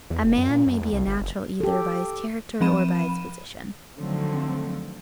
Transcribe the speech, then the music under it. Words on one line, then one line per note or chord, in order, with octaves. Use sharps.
A man may be a natural either by his character or by his position.
E2
F1
F#2
A#2
F#2
E2
C2
G1
F#1
G4 A4
F3 C4 B5 D#7 E7
D3 D#3 F3 F#3 A3 C4